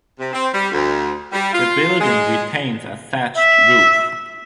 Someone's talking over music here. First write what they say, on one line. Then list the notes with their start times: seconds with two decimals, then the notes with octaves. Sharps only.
The building retains a thatched roof.
0.19 C3
0.33 C4
0.54 G3
0.72 D2
1.33 G3
1.53 F4
2.01 G#3
3.37 E5